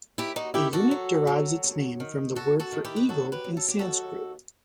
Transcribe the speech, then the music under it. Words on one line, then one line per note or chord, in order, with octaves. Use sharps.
The unit derives its name from the word for eagle in Sanskrit.
D#2 E4 G4
D#4 F#4
D#3 E4 G4
F#4 A4
F#3
F#3
D#2
D#3
D#2 F#4 A4
F#4 A4
D#3
E4 G4
B4
F#3 F#4 A4
G4 B4
F#3
A4
G4
D#2 F#4 A4